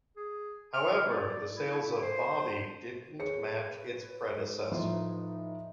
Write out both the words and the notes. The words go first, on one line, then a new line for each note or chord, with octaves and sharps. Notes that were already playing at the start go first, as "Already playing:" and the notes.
However, the sales of "Bobby" didn't match its predecessor.
G#4
F6
D5
E4
C5
G#4 B4 C#5 C#7
G#2
A2 F3 D#4 C6